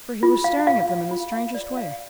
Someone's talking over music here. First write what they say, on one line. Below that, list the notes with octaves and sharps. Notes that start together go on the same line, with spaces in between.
For, he was staring at them in the strangest way.
F4
F5
F5
F5
F4
F5
D5
F5